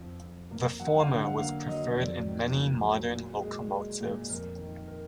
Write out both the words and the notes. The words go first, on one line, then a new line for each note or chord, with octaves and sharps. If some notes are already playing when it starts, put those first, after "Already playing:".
The former was preferred in many modern locomotives.
Already playing: F2 F3
F2
A#3
F#2 F#5
F5
D3
F#5
A#3 F5
F#3 D#5
F2 D5
D#3
A#3
F#3
A#2
G#3
G#3
A#2
F2 A#4
D#3
A#4